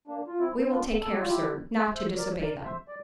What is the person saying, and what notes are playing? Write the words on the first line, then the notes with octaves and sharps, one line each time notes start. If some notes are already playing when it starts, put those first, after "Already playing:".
"We will take care, Sir, not to disobey them."
A#3 D4
F4
C4 E4
D4 F4
A4
G4
F4
E4 G4
C5 E5
A#4 D5
A#4 D5
C5 E5
D5